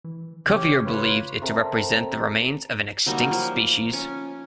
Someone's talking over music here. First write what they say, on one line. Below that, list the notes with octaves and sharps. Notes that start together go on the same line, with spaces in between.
Cuvier believed it to represent the remains of an extinct species.
E3
C#3 C#4 G4
F4 B4 C#5
C3 A4 A#4
F#3 G3 A#3 D#4
F3
C#4